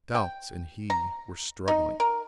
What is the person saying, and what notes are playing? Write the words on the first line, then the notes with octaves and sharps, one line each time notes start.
Doubts and he were struggling.
G5
A#5
D#4
A#4